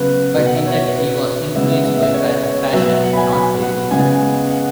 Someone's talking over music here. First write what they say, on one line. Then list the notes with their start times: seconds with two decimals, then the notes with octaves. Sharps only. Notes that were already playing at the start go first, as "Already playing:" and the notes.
But in that he was influenced by passion, not by reason.
Already playing: C#3 F#3 B3 B4
0.36 B2 B3
0.46 F#5
0.56 E5
0.67 C#5
0.96 B4
1.55 C#3 G#3 B3 E5
1.85 E5
2.03 E5
2.14 C#5
2.43 C#5
2.73 B2 F#3 B3 E5
3.03 F#5
3.13 B5
3.17 G#5
3.32 B5
3.62 F#5
3.91 C#3 G#3 B3 G#5
4.50 F#5